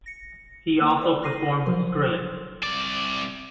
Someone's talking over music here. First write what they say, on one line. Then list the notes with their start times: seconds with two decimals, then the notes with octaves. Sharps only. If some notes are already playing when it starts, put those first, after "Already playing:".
He also performed with Skrillex.
0.06 A#6 C#7
0.81 A#3
1.01 B4 C5 D5 B5
1.23 F6 A#6 C7 D#7
1.66 F3 F#3 A#4 C5 C6
2.63 C2 D5